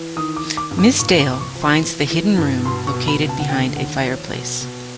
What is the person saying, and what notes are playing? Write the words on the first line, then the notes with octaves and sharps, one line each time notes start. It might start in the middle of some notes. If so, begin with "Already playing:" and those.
Miss Dale finds the hidden room, located behind a fireplace.
Already playing: E3
D#3 D#6
D6
D#3
D6
G2
D6
A#2 C#6
D6
C2
D6
C#6
F3
C6
E3
E3
G2
B2 C6
C#6
B2
B5
C#2
A5
F#5
D3 G5
D#2 F#5
F3 C#5
B2
B2